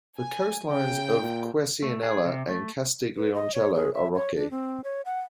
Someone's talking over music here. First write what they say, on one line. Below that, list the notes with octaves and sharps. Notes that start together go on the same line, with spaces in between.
The coastlines of Quercianella and Castiglioncello are rocky.
G#5
C#3 G5
A#2
A3
G#4
C3
A3
B4
D#5
C#5
G#4
E5
C#5
D4
C4
C#5
F#5